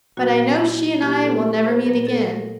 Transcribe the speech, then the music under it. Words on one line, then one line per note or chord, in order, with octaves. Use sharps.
But I know she and I will never meet again.
A#2 F#3 A#3 F#4
E4
A#2 F#3 A#3 G4
A4
C5
A#2 F#3 A#3 A#4
A4
A#4